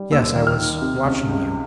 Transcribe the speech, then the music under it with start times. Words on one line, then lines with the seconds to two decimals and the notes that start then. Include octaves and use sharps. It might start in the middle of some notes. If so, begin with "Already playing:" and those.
"Yes--I was watching you."
Already playing: G3
0.11 D#2 E6
0.35 D#3
0.47 F6
0.58 D#3
0.82 C3
1.05 C#2
1.29 C#2